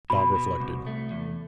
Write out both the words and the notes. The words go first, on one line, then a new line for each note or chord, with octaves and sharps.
Bob reflected.
B2 B5
B2
C2
A3
E2